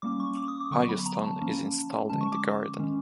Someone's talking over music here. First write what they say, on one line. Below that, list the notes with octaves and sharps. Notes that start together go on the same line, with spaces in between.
Iyo Stone is installed in the garden.
G3 A#3 C#4 D6
C#6
D6
D#6
D6
D3 F#3 B3 C#6
B5
A#5
A5
F3 A#3 C#4
D3 F3 G#3 C#4 A5
C#6
D6
D#3 G#3 C#4